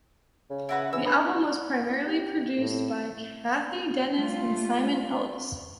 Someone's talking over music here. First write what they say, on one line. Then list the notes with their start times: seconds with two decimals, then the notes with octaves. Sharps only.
The album was primarily produced by Cathy Dennis and Simon Ellis.
0.50 C#3
0.69 E4 F#4 B4
0.93 E3 E6
1.05 D4 B4 B5 G#6
2.07 G4
2.59 A2
4.16 G3 A3 F4